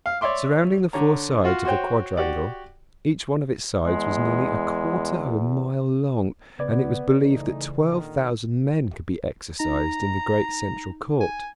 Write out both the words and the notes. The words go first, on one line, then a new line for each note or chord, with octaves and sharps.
Surrounding the four sides of a quadrangle, each one of its sides was nearly a quarter of a mile long, and it was believed that twelve thousand men could be exercised in the great central court.
F5
C#5 D5 E5 C6 D6
D3 C#5 A#5
F4 F#4 F5
F#4 C5 C#5 G5
F#4 G4 D5
E2 G#3
F2 C#3 B3 B4 D5 G#6
C#3 E3 A3 D#4
A#2 D3 D#3
D#4 A#5
G#5